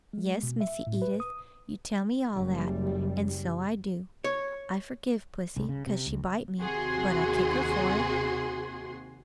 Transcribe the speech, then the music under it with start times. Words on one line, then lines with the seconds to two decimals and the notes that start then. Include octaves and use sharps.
"Yes, Missy Edith, you tell me all that, and so I do; I forgive pussy 'cause she bite me, but I kick her for it."
0.13 G#3
0.43 B2
0.61 E5
0.87 A2
1.02 B4
1.20 D#6
2.36 F#1 F#2 G3
4.24 C#5
5.57 C2
5.69 C#3
5.87 C3
6.06 C#2
6.59 D#2 C3 F#4 G#4 C6